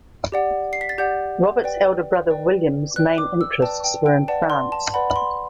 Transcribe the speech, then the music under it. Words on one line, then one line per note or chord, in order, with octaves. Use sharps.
Robert's elder brother William's main interests were in France.
G4 D5 F#5
C7
B6
A6
G4 D5 F#5 G6
B4 D5 G5
B4 D5 G5
B4 D5 G5 F#6
D6
E6
B4 D5 G5 A5
G5
G5
B4 D5 F#5 A5
C6
A5
B4 D5 F#5 B5
B5
C6